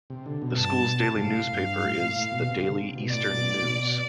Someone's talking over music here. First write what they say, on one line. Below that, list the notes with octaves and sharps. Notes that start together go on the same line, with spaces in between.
The school's daily newspaper is The Daily Eastern News.
C3
D3
B2
G2 A5
B2
C3
G2
A2 F5
A2
G2
A2
A2
A2
B2
C3
D3
C3
B2
A2 D5
B2
A2
B2
B2